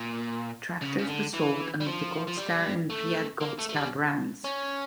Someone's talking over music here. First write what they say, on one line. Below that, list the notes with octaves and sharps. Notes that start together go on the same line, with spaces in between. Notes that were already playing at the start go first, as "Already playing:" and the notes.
Tractors were sold under the GoldStar and Fiat-GoldStar brands.
Already playing: A#2
C#3
C#3
D3
E3
G3
F3
F3
G3
A3
A#3
A3
A3
G3
C#4